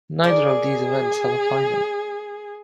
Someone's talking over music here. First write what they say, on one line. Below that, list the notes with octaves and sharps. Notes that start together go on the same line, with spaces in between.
Neither of these events have a final.
G#4 A#4 D5